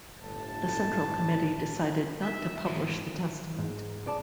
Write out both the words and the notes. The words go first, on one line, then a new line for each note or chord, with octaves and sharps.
The Central Committee decided not to publish the testament.
G1 A2 A5
E5
G#2 E3
G#2
C#3 D5 A5